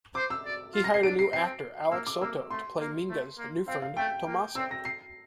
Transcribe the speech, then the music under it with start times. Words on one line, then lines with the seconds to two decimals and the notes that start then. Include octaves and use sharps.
He hired a new actor, Alex Soto, to play "Minga"'s new friend, "Tomasa".
0.15 C5 D6
0.30 E6
0.45 D5
0.74 F4
0.84 A#6
0.94 C7
1.03 D4 D7
1.19 C7
1.33 C4 C7
1.91 A#3 E6
2.07 D6
2.21 A#3 E6
2.50 A3 C6
2.80 A#3
3.10 A3
3.38 A#3
3.67 C4 F5
3.82 F5
3.97 A3 G5
4.26 A#3
4.55 C4 E6
4.71 A#6
4.85 C7